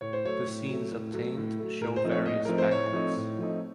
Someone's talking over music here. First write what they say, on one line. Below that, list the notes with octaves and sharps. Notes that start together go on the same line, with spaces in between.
The scenes obtained show various banquets.
A2 C#5
C5
F#3 A3 C#5
A2
F#3 A3
A2
F#3 A3
A2
F#3 A3
A2 A#4
C5
F3 A3 C4 D#4
C#5
A2 D#5
F3 A3 C4 D#4 A#4
C5
A2 C#5
F3 A3 C4 D#4
A2
F3 A3 C4 D#4